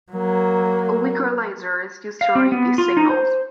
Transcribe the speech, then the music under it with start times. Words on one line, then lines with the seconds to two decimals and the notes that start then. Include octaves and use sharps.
A weaker laser is used to read these signals.
0.13 F#3 A#3
2.21 F5
2.35 C4
2.52 B3
2.78 F4
2.97 D#4
3.10 C5